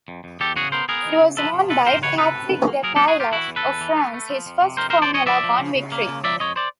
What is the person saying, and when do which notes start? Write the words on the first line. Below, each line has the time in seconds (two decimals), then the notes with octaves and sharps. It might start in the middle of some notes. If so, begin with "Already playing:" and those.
It was won by Patrick Depailler of France, his first Formula One victory.
0.08 F2
0.24 F2
0.40 E2 G4 A4
0.56 C#3 F#4 G#4
0.72 B3 A#4 C5
0.89 B3 G#4 A#4
1.05 E2
1.21 C#3
1.37 F3 A4 B4
1.54 C3
1.70 C3 A4 B4
1.86 F2 A#4 C5
2.02 F2 B4 C#5
2.18 C3 A4 B4
2.35 A2
2.51 F#3
2.67 A#3
2.83 F#3 G#4 A#4
2.96 G4 A4
3.00 A2
3.08 F#4 G#4
3.16 F#3 F4 G4
3.31 E3 E4 F#4
3.48 E2
3.56 A4 B4
3.65 E2
3.81 E3
3.97 A3
4.14 A3
4.29 F3
4.46 F2
4.62 C3
4.77 F2 A#4 C5
4.90 A#4 C5
4.94 F2
5.02 C5 D5
5.10 F2 C#5 D#5
5.26 F3 D5 E5
5.43 F3
5.59 C#3
5.75 C#3
5.92 A#3
6.08 C#3
6.24 F3 D5 E5
6.40 F2 C#5 D#5
6.56 C5 D5